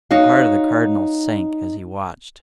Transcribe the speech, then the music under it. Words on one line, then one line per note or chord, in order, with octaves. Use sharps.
The heart of the Cardinal sank as he watched.
D#4 F#4 C#5 F5